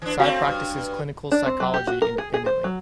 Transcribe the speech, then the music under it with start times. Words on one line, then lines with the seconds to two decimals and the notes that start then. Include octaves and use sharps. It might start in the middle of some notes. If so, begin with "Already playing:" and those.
Tsai practices clinical psychology independently.
0.02 E3 D4
0.20 A3 B3 C4 F#4 F5
0.47 G2
1.31 D4
1.46 C4
1.60 F#3
1.74 G4
1.87 F#4
2.02 A#4
2.18 G#4
2.34 G#4
2.46 C5
2.64 F#3